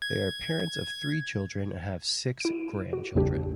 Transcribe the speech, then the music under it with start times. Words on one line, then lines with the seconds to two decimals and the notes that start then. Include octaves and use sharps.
They are parents of three children and have six grandchildren.
0.02 G#6
2.40 E4 D7
2.93 F#4
3.15 A1 E2 C#3 G3 D4 G4